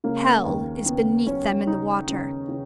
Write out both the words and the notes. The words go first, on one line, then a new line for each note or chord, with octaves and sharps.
Hell is beneath them in the water!
C#3 A#3
D#2
C#3 B3
F#3 C#4
C#3 D#4
C#3
C#3